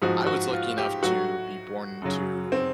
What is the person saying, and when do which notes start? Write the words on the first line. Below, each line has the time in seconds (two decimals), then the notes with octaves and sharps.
I was lucky enough to be born to
0.02 G#2 F3 F#4
0.27 F#4
0.52 F4
0.78 G4
1.02 A2 F#3 F#4
2.02 F#2 C#3 F#3
2.52 C4